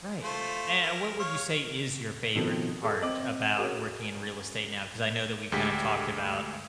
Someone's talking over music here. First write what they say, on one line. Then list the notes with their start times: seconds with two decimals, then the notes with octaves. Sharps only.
Right, and what would you say is your favorite part about working in real estate now? 'Cause I know that we kinda talked about
0.24 A3 F4 C5
0.83 A#4
1.19 C#5 F5
2.35 B2 D#3 F3 C4 A4
2.83 G#4 A4
3.02 C4 D#5 D6 F#7
3.57 C#4 F#4 G#4 A#4
5.52 D2 G#3 G4 B6